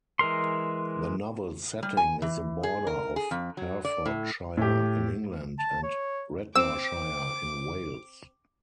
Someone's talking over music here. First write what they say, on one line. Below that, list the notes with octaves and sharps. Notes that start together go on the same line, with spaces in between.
The novel's setting is the border of Herefordshire, in England, and Radnorshire, in Wales.
E3 G#3 A#4 C6
G3
G#5
E3
G#4
A#4
G#4
F2
F#3
D5
A2
A2 G4
A5
C#5
C4 D6 E6